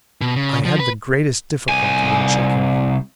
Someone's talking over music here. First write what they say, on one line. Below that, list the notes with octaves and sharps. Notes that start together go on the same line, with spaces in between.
I had the greatest difficulty in checking him.
B2
C#3
F3
B4
C2 G#5